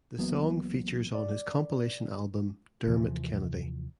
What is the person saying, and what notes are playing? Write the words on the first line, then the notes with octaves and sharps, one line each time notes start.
The song features on his compilation album "Dermot Kennedy".
C#2 E3 F#3 A#3 B3
D5
D#2 C3 E3 F3